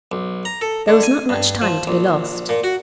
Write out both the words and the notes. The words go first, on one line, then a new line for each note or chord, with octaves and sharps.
There was not much time to be lost.
B1
A#5
A4
D3
G#5
G2
F3
A#1
A#2
F#4